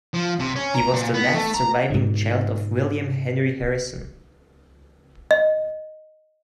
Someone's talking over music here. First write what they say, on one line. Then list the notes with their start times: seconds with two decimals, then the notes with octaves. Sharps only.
He was the last surviving child of William Henry Harrison.
0.14 F3
0.39 C3
0.56 C#4
0.74 A#5
0.93 A#2
1.14 B3
1.35 A3
1.54 A#5
1.90 G#2 B2 D3
5.31 D#5